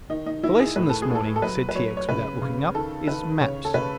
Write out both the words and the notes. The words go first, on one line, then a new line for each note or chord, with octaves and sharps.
"The lesson this morning," said T. X. without looking up, "is maps."
D#3 D#4
D#4
D#3 E4
G#4
A2 B4
A4
G#4
A2
A4
A4
F#3 B4
B4
F#3 C#5
C#5
C#3 B4
C#3
D#3 A4
D#3 B4
C#3 C#5
A4
C#3 B4